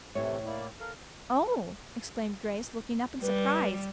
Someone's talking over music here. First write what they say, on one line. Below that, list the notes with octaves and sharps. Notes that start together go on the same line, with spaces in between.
"Oh!" exclaimed Grace, looking up in surprise.
A2 C3 E3 A3 C#5
A#3 E4 D5
A4 A#4 F5
G3 B4